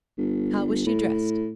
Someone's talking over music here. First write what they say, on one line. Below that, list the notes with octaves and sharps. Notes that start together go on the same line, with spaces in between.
"How was she dressed?"
G1
A2